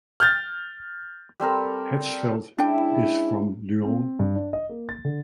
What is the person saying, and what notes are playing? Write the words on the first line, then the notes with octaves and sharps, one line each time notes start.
Hatzfeld is from Lyon.
F6 G6 A6
G3 C4 A4 A#4
G#3 C#4 D4 E4 G5
C4
G2
D4
D#5
A#3
A6
D3